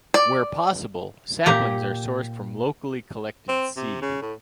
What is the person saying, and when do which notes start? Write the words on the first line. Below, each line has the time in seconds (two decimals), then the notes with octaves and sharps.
Where possible, saplings are sourced from locally collected seed.
0.14 D5
1.46 A#2 G4 A#5
3.49 C4
3.77 C3
4.02 C#3
4.22 A2